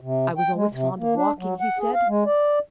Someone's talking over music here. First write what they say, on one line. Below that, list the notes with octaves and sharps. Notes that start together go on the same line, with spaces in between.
"I was always fond of walking," he said.
C3
G5
G#3
C3
A#3
D4
F#3
F#5
G#4
F5
G#3
D5